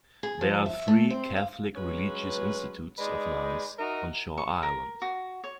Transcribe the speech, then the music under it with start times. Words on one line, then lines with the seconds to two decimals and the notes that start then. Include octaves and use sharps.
There are three Catholic religious institutes of nuns on Shaw Island.
0.23 G#4
0.41 F3
0.66 E5
0.88 A3
1.10 C4
1.36 F5
1.76 F#3 G#3 C#4 B4
2.98 G#3 D#4 B4 D5 D#5
3.79 D#4 F#4 A#4 D#5 E5
4.38 C#6
4.63 A#4
5.02 F#4
5.44 C#5